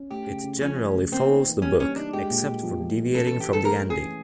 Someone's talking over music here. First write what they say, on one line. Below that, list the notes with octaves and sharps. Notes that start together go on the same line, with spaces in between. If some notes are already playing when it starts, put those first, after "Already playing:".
It generally follows the book, except for deviating from the ending.
Already playing: C#4
A3 G4
C#3
C#3
F3 C#4
A3
C#3
A#3 C4
D#4
E3
G3 C#4
A#3 C#4
D4 D#4
G#3 G4
A#2
A#2
F3
G#3
A#2
C#4 A4
A4
E3
G4
E3 A4
A3 A#4
C#4
G#4
E3